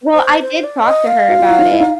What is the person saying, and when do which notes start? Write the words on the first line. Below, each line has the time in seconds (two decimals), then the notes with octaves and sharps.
Well, I did talk to her about it,
0.14 C5
0.42 C5
0.64 D5
0.86 D#5
1.07 F5
1.28 F#4
1.39 F4
1.49 E4
1.59 D#4 F4
1.72 E4
1.80 D#4